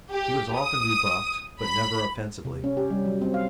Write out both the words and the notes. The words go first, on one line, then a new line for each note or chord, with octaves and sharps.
He was often rebuffed but never offensively.
G4
D#6
B5
C3
C#4
G4
G3
F#3
C4
F5